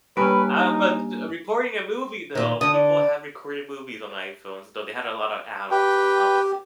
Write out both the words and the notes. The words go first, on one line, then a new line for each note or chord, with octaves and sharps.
I have a bunch uh Recording a movie though people have recorded movies on iPhones, though they had a lot of add ons on top of it.
G2 A#3 C#4 B4 G#5
D#4
A#2 D#3
D3 D#6
D5
G4 B4 G5